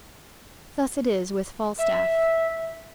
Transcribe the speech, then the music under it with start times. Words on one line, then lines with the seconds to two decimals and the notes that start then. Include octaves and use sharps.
Thus it is with Falstaff.
1.78 E5